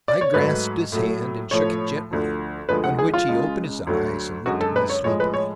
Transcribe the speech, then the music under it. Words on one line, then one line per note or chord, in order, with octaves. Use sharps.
I grasped his hand and shook it gently, on which he opened his eyes and looked at me sleepily.
D5
C#5
G#2 F#3 A3 B4
A2 F#3 A3
A2 F3 A3 C#5
D2 D3 F3
D2 D3 F3 G#3 B4
F#5
G#4
F4
C#2 C#3 G#3
D2 D3 F#3 A3
F#2 D3 G#3 F#4
A4
B4
C#5
A2 F3 G#3 C#5
B4
C#5